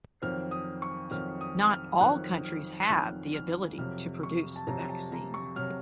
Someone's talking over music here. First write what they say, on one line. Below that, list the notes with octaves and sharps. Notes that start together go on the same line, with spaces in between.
Not all countries have the ability to produce the vaccine.
F2 D#3 F#3 C4 F6
D#6
C#6
F2 D#3 F#3 C4 F6
D#6
F6
F2 D#3 F#3 C4 F#6
F6
F#6
F2 D#3 F#3 C4 F6
F6
F2 C3 F#3 F6
C#6
A5
F2 C3 F#3 A#5
A#5
A5
A#5
C#6
C3 F#3 F6